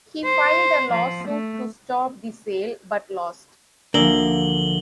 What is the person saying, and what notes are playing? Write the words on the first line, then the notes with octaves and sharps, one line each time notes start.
He filed a lawsuit to stop the sale, but lost.
C5
F3
A3
D2 F3 A#3 D4 G#5 E6 F#7 G7